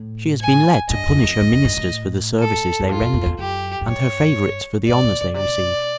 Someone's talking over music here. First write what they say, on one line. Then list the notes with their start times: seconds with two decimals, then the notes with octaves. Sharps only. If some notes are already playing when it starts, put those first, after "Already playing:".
She has been led to punish her ministers for the services they render and her favourites for the honours they receive.
Already playing: A2
0.41 G#5
0.90 G2 D#5
1.07 F2
1.23 F2
1.41 F2
1.53 F2
1.65 G2
1.77 A2
2.39 A4
2.80 E2
2.89 F2 F4
3.01 F#2
3.14 F2
3.26 E2
3.39 F#2 G4
3.81 F#2
3.88 G2 C#5
4.87 G#2 D5
5.04 A#2
5.21 B2
5.34 C3 D5
5.46 B2